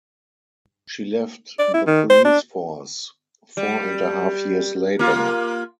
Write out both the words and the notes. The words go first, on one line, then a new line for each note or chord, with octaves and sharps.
She left the police force four and a half years later.
D5
E4
D#3
C5
D4
G3
A#3 F4